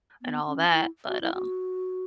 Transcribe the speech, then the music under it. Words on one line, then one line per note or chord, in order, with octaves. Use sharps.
and all that, but, um
B3
C#4
E4
F#4
E4
F#4